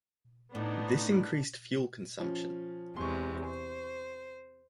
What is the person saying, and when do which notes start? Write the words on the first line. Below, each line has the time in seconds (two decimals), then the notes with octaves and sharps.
This increased fuel consumption.
0.55 A2 B3 D4 D#4
2.20 F3 C#4
2.96 E2 C3 G#3 C6 C#6
3.46 C5